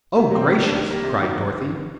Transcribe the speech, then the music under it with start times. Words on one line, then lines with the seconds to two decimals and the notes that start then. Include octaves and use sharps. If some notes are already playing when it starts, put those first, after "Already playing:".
"Oh, gracious!" cried Dorothy.
0.16 C3
0.31 F#3 C4
0.45 A2
0.60 G3 D4
0.74 D#3
0.89 G3 A#3
1.04 C3
1.19 D#3 F#3